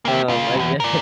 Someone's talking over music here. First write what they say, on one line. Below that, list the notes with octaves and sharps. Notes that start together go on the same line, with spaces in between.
Um, uh yeah.
A#3 G4
C#3 F4
B1 E2
A#4 D5